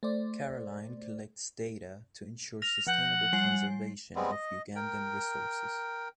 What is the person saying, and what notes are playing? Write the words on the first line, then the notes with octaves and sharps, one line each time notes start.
Caroline collects data to ensure sustainable conservation of Ugandan resources.
A3 C5 D5
F6 A#6 F7
F3 F#5 G6
G3 G#5 C7
G3 G#3 B3 C4
D#5
A#4 G5